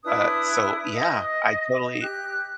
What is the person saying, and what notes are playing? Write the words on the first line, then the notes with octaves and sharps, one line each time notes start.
Uh, so yeah, I totally
D4 E4 B4 D#6
D#5
G4 F#6